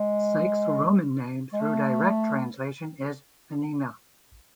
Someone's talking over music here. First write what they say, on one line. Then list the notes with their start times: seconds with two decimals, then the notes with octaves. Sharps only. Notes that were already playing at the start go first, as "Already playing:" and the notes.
Psyche's Roman name through direct translation is Anima.
Already playing: G#3
1.53 G#3
1.60 A3